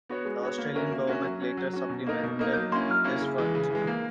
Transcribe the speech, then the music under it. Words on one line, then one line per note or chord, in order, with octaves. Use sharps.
The Australian Government later supplemented this fund.
B3 F#4 C#5
G#3
B3 F#4 C#5
A#3
C#4 F#4 A#4 E5
A#3
C#4 F#4 A#4 E5
F#3
C#4 F#4
F#3
C#4 F#4
B2
A#3 D#4 A#4 D#5
B2
A#3 D#4 A#4 D#5
F#3
A#3 C#4 E4
F#3
A#3 C#4 E4
C#3
E3 G#3
C#3
E3 G#3
A#3